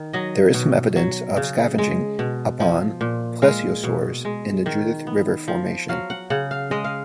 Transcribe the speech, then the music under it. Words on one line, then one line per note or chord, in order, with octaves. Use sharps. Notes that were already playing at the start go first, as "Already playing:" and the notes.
There is some evidence of scavenging upon Plesiosaurs in the Judith River Formation.
Already playing: D#3
F#3 D#5
B2
F#3
C#3
G#3
B2
F3
A#2
G#3 F5
B2
G#3
D#3
B3
F3
F#3 F5
F#5
C#3 F#5
F5
G#3 D#5
F5